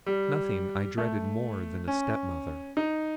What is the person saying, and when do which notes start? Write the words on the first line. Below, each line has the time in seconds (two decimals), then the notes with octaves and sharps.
Nothing I dreaded more than a step-mother.
0.06 G3
0.98 A3
1.88 C#4
2.77 D#4